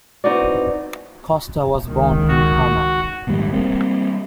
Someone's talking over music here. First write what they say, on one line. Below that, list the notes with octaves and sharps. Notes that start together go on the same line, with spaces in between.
Costa was born in Parma.
B3 C4 D#4 E4 F#4 D5
C#2 D#3
F#4
A#1 D#2 G#2 G3
G3 A#3 C4